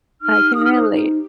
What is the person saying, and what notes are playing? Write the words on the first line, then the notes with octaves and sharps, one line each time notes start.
I can relate.
D#4 F6
G4
D#4 D#6
F6
C5 D#6
D#4
G4